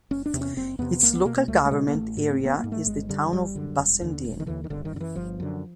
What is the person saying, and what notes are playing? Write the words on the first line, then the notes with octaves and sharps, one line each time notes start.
Its local government area is the Town of Bassendean.
F#1 C#4
D4
E2 C3
C#4
F#1 C4
E2 C3 B3
C#2 A#3
B3
B2 A#3
A#3
C#2 A3
A3
B2 G#3
A#3
A1 A3
G#2
C4
A1
B3
G#2 A#3
A3
G1 G#3
F#2 D3 G3
G1 G3
F#2 D3
E1
D#2 D3
E1
D#3
D#2 D3 E3
D#3
G1 D3
D#3
F#2 D3
E3
G1 F3
F#2 D3